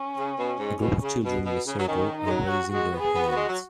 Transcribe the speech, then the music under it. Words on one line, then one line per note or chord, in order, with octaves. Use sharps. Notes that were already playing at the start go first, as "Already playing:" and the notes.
A group of children in a circle are raising their hands.
Already playing: C#4
C#3
B2
G#2
B2
C#3
B2
B2
C#3
F#3
D#3 C#4
D#4
G#3
F#3
F#4
G#3 F#4
B3
G#4
B3
B3 F#4
G#3
F#3